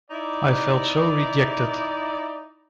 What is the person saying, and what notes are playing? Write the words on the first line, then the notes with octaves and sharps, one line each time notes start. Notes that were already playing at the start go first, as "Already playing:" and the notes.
I felt so rejected.
D#4 E4 D5